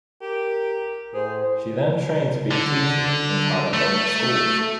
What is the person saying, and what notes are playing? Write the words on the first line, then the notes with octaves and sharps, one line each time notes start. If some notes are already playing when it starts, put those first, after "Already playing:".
She then trained to be a teacher, and taught at local schools.
G4 A#4
A2 G#4 C5
D3
A3